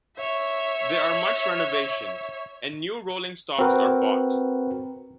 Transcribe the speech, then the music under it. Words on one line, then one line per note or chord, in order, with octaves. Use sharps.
There are much renovations, and new rolling stocks are bought.
C#5 E5
C4 F#4 A#4 B4